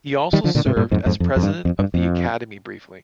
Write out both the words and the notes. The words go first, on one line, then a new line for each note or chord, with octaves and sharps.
He also served as President of the Academy briefly.
D#3 G3
D3 F3
A#2 D3
G#2 C3
G2 A#2
F2 G#2
F2 G#2
F2
F2
G2
F2
G2
F2